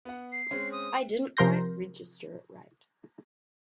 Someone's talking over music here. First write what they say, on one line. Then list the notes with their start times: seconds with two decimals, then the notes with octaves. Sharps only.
I didn't quite register it right.
0.05 B3 F#5
0.32 C7
0.51 G#3 C4 C#4
0.72 D#6
1.37 C3 F3 A#4 C6 G6 A#6